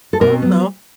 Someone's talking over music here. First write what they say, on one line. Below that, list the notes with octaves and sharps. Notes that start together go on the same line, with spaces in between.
Um, no,
A4
B2 A#4
F#3 B3